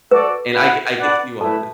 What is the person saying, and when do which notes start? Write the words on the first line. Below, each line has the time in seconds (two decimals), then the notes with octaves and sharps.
and, I cou I could see why it is.
0.11 F#4 A4 B4 D5
0.55 E4 B4 F#5
0.98 D4 B4 D5 F#5
1.41 A3 E4 A4 B4 A5